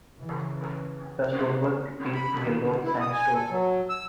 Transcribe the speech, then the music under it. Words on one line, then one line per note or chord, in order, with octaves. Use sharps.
The stone work is yellow sandstone.
C#3 E3
B5
D#2
D3
E4
D#6
G#5
A4
F#3
E6